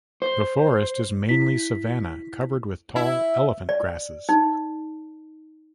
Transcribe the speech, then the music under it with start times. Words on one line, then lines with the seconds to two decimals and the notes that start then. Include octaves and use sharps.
The forest is mainly savannah covered with tall elephant grasses.
0.22 C5
1.29 E4 B6
2.96 E4
3.69 D5
4.29 D#4